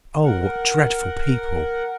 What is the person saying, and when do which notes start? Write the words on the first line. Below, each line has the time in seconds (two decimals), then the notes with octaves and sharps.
Oh, what dreadful people!
0.25 A#4 F#5